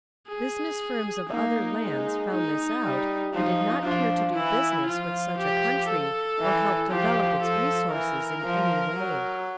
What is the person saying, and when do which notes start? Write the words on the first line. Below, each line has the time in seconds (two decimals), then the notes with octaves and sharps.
Business firms of other lands found this out and did not care to do business with such a country or help develop its resources in any way.
0.28 G#4
1.30 A#3 D#4
1.82 G#3
2.32 D#4
2.83 G3
3.33 F3 D#4
3.84 F3 D4
4.35 E3 E4
4.87 F3 F4
5.37 G4
5.88 A4
6.40 E3
6.90 F3 G4
7.41 F3 A4
7.92 E3 A#4
8.43 F3
8.94 F#3